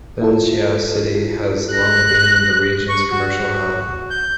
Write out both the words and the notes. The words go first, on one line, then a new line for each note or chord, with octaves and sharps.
Linxia City has long been the region's commercial hub.
E4 F4 A4
F#6 A#6
C#6
F#4
G6